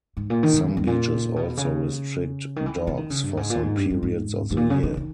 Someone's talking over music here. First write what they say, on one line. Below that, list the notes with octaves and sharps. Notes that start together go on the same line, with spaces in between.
Some beaches also restrict dogs for some periods of the year.
G#2
A#2
D#3
A#2
G#2
E2
G2
A#2
B2
C#3
D#3
E3
D#3
E3
D#3
C#3
G2
G#2
A#2
G#2
G2
G2
G#2
G#2
A#2
C#3
D#3
D#3